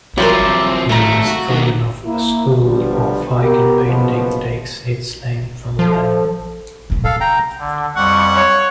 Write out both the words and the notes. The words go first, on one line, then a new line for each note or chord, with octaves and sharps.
The Stroganov School of icon-painting takes its name from them.
C2 F3 F#3 C4 E4 A#4 C5 D5
A2 D#3 A3 F5 A#5
F#4
D3 D#3 A#3
A#3 E4
D3 F3 G3 B3
B3 G4 A#4
F#1 B2 F3 B3
F3 A4
D1 B2
C3 A4 F5
G5 A#5
D3
F2 G3 F#5 C#6
C#5